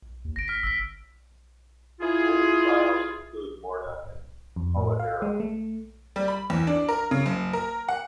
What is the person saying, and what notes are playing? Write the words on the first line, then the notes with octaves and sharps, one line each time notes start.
Older styles include "morna" and "coladeira".
D#2
G1 A#6 D7
F6 B6
G1 E6 B6
E4 F4 G#4
F2
A2
F5
G#3
A3
G3
B5
E2
D4
A#4
C#3
F#1
A#4
F#5